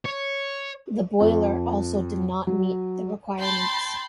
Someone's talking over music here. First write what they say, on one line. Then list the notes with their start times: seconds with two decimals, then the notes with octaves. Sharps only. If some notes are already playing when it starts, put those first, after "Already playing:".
The boiler also did not meet the requirements.
0.05 C#5
1.20 F2
2.47 F#3
3.38 G5 A5 B5 C6 G6 A6